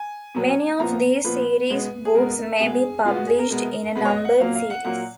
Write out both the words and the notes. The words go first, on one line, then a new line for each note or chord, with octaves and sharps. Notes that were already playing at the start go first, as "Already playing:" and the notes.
Many of these series books may be published in a numbered series.
Already playing: G#5
B2 F#3 B3
A#2 F3 B3 A#5
A#2 F3 B3 B4
B2 G#3 B3
G#4
B2 G#3 B3 A#4
B2 G#3 B3 G#4
B2 G#3 B3 F4
F#4
G#4
A#4
B2 G#3 B3 A#4
B2 G#3 B3 B4
C#5
D#5
F#5
A#2 F#3 A#3 F5
F5
F#5
A#2 F#3 A#3 F#5